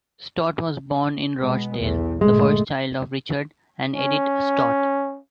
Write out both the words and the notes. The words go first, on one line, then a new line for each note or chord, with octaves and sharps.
Stott was born in Rochdale, the first child of Richard and Edith Stott.
B2 G#3 B3
B1 E2 E3
G1 A#2 G#3 A3
C#4